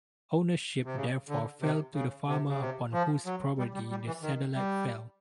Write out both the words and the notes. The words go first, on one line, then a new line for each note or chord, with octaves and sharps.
Ownership therefore fell to the farmer upon whose property the satellite fell.
C3
C#3
D3
C3
C#3
C3
C#3
C3
F3
F#3
G3
G3
G3
E3
D#3
G3